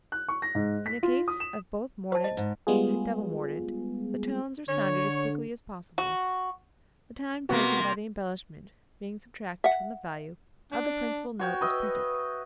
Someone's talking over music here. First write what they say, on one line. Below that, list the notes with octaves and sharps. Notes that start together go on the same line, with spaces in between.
In the case of both mordent and double-mordent the tones are sounded as quickly as possible, the time taken by the embellishment being subtracted from the value of the principal note as printed.
F#6
C#6
A#6
G#2
B6
F4
D#6
E7
C5 A5
D#5
G#2
G3 G#3 B3 F4 G#4
D3 C#5
F#4
C3 A#3 B3 F#4
E5 F#5
D4
F#4 C#5 G5
B4 D#5 E5